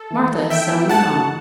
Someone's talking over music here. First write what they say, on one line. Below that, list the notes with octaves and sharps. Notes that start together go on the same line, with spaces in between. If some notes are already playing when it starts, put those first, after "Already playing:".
"Martha is sewing it on."
Already playing: A4
E3
B3 D#4
E3 E5 G5
B3 D#4
G2 F#5 A5
D#3 A3 D#4 F#4